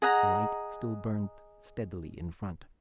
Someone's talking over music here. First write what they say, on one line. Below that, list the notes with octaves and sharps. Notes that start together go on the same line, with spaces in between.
The light still burned steadily in front.
G#4 D#5 F#5 A#5